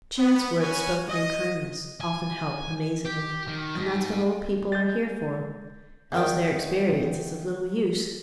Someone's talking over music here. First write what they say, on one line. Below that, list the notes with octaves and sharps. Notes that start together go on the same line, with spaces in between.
Chance words spoken in kindness often help amazingly; and that's what old people are here for--else their experience is of little use.
B3
C#4 F#4 B4 C#5 G#5
D#5
G#5
G4
D#3
G#2
G#3 G6 A6
E2 D#3 G5